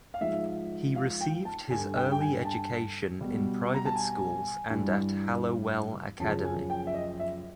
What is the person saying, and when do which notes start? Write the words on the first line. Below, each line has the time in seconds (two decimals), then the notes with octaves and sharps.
He received his early education in private schools and at Hallowell Academy.
0.14 F5
0.21 G#2 F3 E5
0.96 F5
1.21 G5
1.45 A5
1.70 G2 D3 G3 G#5
1.96 G5
2.12 G5
2.21 G#5
2.45 A5
3.21 B2 G3
3.74 A#5
3.85 A5
3.96 G#5
4.70 G2 E3 G3
6.20 F#2 C#3 F3 A5
6.45 G#5
6.70 G5
6.87 E5
6.94 D#5
7.20 E5